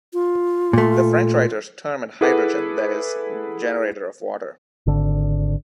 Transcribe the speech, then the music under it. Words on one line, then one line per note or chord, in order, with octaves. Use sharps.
The French writers term it hydrogen, that is, generator of water.
F4
A#2 A3
E4 G#4 A4 B4 F#5 D6
G#1 D3